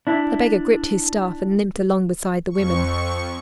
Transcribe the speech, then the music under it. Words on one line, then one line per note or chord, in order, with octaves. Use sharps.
The beggar gripped his staff and limped along beside the women.
D4 E4
F2 C#6